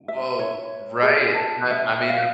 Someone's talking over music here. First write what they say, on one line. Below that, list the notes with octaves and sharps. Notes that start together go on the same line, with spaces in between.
Woah! Right. I I mean, I'm
E5
C#5
G#4
A5
E5
F5